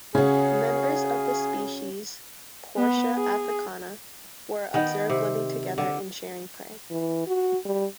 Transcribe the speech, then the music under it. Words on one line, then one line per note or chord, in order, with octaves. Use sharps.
Members of the species "Portia africana" were observed living together and sharing prey.
C#3 C#4 F#4 G#4
B3
G#4
D#3 B3 G5
C3
D3
E3
F#4
G3